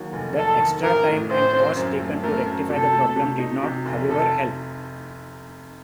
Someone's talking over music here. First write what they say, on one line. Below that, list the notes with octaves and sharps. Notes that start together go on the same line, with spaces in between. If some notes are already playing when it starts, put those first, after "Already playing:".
The extra time and costs taken to rectify the problem did not, however, help.
Already playing: D#2 F#3
F1
F1 A4
D#3
A1 A#4
A2
A1 C5
C4
F#2
A3
A3 A#4
F#2
C3 A4
A3
C3
D#4
C3
F1
C3 A4